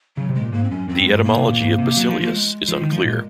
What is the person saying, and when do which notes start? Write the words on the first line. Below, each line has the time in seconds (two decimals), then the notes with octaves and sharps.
The etymology of "basileus" is unclear.
0.17 C#3 F#3
0.29 C3
0.35 G#3
0.41 A#2
0.52 G#2 A#3
0.64 C4
0.70 F#2 C#4
0.88 F2 C4
1.01 F#2
1.07 G#3
1.13 G#2
1.24 A#2 A#3
1.37 C3
1.49 A#2
1.60 G#2
1.78 C3
1.97 F#3
2.09 F3
2.21 F3 A#3
2.33 G#3
2.68 F3
2.81 D#3
2.93 F3
3.05 A#2